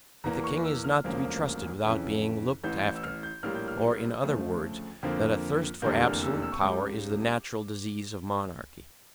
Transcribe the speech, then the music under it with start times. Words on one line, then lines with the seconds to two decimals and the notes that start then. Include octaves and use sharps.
That the king is not to be trusted without being looked after, or in other words, that a thirst for absolute power is the natural disease of monarchy.
0.24 E2 E3 A#3 A#5
0.44 C#6
0.64 E6
0.84 F6
1.04 E1 D2 C#3 F3 A#3
1.84 F2 C#3 E3
2.64 A1 A2 E3 G6
2.83 G6
2.96 E6
3.03 F6
3.23 G6
3.43 A#1 A2 G3 A#3 F6
3.55 G6
3.68 F6
4.23 D2 C#3 F3 A3
5.03 F2 D3 F3 A#3
5.82 F1 E2 D3 G3 A#3 G6
6.03 F6
6.22 E6
6.42 E6
6.52 C#6
6.62 C#2 C#3 G3 D6